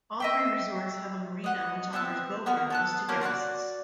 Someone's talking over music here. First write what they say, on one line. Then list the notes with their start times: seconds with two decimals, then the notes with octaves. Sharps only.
All three resorts have a marina which offers boat rentals to guests.
0.20 D#5 E5 G5
1.44 D#5 F#5
1.93 B3 C4 E5 F#6
2.46 B3 F#4 A#4
2.70 B3 A4 F#6
3.09 A#3 C#4 A#4 C5
3.21 F#4 D5 C6 F#6